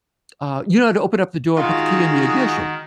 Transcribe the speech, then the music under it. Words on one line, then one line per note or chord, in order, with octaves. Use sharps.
uh, you know how to open up the door and put the key in the ignition,
D#3 G#3 D#4 F4 F#4